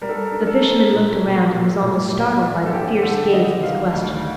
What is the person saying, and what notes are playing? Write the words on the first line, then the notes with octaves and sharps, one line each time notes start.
The fisherman looked around and was almost startled by the fierce gaze of his questioner.
G3 A#4
A4
A#4
D4
A#4
A4
D4
A#2
A#2
A#2
A2
A#1
G3
A4
D3 G4
D3 A4
G3 D#5
D#3 F5
D2